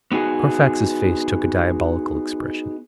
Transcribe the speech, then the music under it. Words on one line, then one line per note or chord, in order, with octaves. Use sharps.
Carfax's face took a diabolical expression.
B3 D#4 F#4 G#4